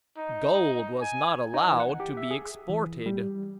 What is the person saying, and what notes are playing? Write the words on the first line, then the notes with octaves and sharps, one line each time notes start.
Gold was not allowed to be exported.
D#4
D#4
G#5
D#4
E3
F#5
G4
E5
G#4
E3
G3